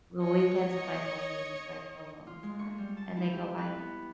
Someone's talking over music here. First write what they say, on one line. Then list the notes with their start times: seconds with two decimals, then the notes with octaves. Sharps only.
the weekends are my only, like, alone time, and they go by
0.21 C#5 D#5
2.27 F4
2.43 G#3
2.59 C#6
2.78 G3
2.97 A5
3.17 E4
3.33 G4
3.58 B4
3.79 B3